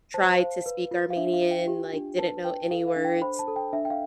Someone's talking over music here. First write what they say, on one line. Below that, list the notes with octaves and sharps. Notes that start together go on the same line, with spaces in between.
tried to speak Armenian, like didn't know any words,"
C5 A5
C5 F5
B4
F4
F5
D4 E5
F5
F4
G5
G4
D4
B4 A5
B4 G5
A4 F5
F5
D4
G5
C5 B5
A5
A4
G5
D4 E5
G5
F5